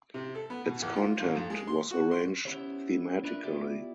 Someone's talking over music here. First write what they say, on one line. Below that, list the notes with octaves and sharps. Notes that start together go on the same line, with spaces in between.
Its content was arranged thematically.
C3
A4
B3
B2
E2
F4
A1
F2
G#3
C6
F#4
C6
B3 C#4 E4 G4 C5 C#5
D4 F4 A#4 B4 D5 E5
B3 E4 F4 G4 D5 E5